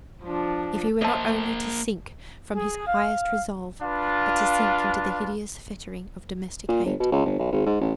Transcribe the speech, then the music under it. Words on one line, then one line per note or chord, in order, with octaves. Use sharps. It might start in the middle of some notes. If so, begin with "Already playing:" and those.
If he were not only to sink from his highest resolve, but to sink into the hideous fettering of domestic hate?
F3 D4
A#3 C5 D#5 E5 A5
G#4
F5
D4 F4 B4 F5
A#2
G1
B2
C#2
G1
B1
G#1
G#2
A1